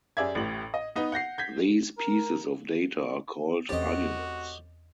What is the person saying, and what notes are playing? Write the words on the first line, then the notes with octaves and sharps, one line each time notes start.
These pieces of data are called arguments.
F#2 G4 G#4 D5 E5 G#6
A1 A2 G4 F#7
D#5
B3 D#4 B4
F#5 G6 A#6 C7
G6 G#6 B6
A#4
E2 A3 C4 C#4 F#4 G4 D#5 A6